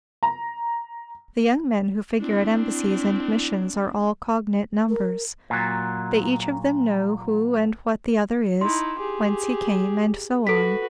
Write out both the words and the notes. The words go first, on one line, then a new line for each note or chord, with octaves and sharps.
The young men who figure at embassies and missions are all "cognate numbers." They each of them know who and what the other is, whence he came, and so on.
A#5
C4 D4 E4
A#4
A#2 F#3
D#4 E4 C6
G4 G#4
F#4 A4 B4 B6